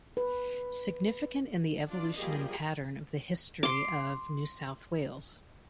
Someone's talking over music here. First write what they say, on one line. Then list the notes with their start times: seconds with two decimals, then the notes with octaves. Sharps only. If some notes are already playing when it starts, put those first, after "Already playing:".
Significant in the evolution and pattern of the history of New South Wales.
0.17 B4
1.86 D4 F4 D5
2.15 F3 G3 A#3 G4 G#4 D#5
3.63 C6 D6